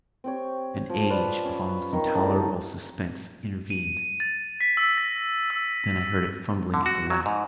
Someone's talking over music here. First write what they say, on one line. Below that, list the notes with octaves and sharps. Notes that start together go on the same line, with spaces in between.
An age of almost intolerable suspense intervened; then I heard it fumbling at the latch!
C4 G4 C#5
F3
F4 B4 D5
C#4
D#3 D#4
A2 C#3 D#4 A5
D#7
A6
B6
E6
A#6
E6
D3
F#4
F#3
G#2